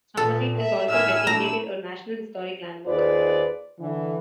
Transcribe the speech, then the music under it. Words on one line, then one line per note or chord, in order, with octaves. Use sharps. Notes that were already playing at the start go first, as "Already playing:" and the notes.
Summerseat is also designated a National Historic Landmark.
A#2 B3 A4
E5
A2 E5 G#5 E6 F6
A#2 A3 D4 E4 A#5
D#2 F4 G#4 B4 C5 D5
D3 E3